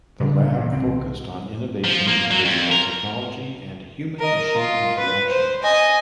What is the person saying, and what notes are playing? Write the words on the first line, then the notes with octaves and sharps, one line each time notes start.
The lab focused on innovation in digital technology and human-machine interaction.
A1 C#3 G3 D4
A#2 E3
C2 C4
F3
A#3
F#3
F2
A#4
A#4 D#5
F4
B4
C5
D#5 G#5